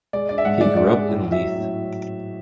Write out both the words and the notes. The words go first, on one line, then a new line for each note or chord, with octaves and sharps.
He grew up in Leith.
G#3 D5
D4 D5
E5
G#2 F#5
G#3 D5
D4 D5
G#3
A2
A2
E5
F#3
A2